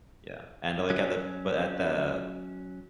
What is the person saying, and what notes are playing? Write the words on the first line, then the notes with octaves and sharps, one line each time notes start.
Yeah, and, like, at the but at the
F#3 C#4